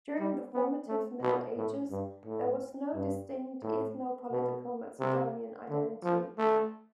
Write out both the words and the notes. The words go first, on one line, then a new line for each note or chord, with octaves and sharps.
During the formative Middle Ages, there was no distinct ethno-political Macedonian identity.
G3
B3
A3
B2
A2
G2
A2
G2
A2
B2
C3
D3
F3
A3